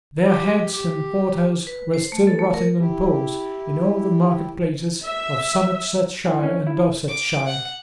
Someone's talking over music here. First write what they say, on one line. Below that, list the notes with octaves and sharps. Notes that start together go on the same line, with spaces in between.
Their heads and quarters were still rotting on poles in all the market places of Somersetshire and Dorsetshire.
G4
G4
B4
C5
A3
A4
A3
A#4
E4 G4
E5
E3
C#4
E4
D6
F#5